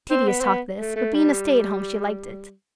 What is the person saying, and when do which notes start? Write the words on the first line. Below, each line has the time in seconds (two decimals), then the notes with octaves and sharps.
Tedious talk this, but being a stay-at-home she liked it.
0.10 C4
0.28 B3
0.40 C4
0.44 B3
0.80 A3
0.96 A3
1.14 G3